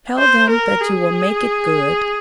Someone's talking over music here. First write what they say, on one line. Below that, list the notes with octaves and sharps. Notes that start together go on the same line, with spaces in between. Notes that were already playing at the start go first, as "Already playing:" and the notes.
Tell them that you will make it good.
C5
A#4
G#4